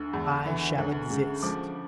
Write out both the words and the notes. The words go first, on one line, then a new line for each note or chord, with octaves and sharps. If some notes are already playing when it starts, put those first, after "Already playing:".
I shall exist.
Already playing: D2 D3 E6
E2
E3
D2
C#3
F3 D6